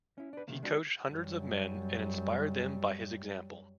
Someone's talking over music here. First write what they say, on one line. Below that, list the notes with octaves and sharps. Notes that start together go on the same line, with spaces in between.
He coached hundreds of men and inspired them by his example.
C#4 E4
D4 B4
C3 D#3 A#3
G#3 D4 F#4 G#4
F#2 G3